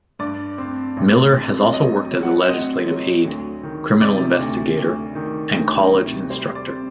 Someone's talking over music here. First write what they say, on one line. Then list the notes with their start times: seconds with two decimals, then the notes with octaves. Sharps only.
Miller has also worked as a legislative aide, criminal investigator, and college instructor.
0.19 G2 D5
0.58 C4
0.97 A1
1.34 C4
1.72 F#3 D#5
2.11 F#3
2.23 F#5
2.48 C4 D#5
2.86 F#3
3.25 D2
3.63 D#3
4.01 C3 D5
4.39 D2
4.77 D2
5.15 D#3
5.54 D2
5.92 C3
6.30 G3 C5
6.55 D5
6.67 C4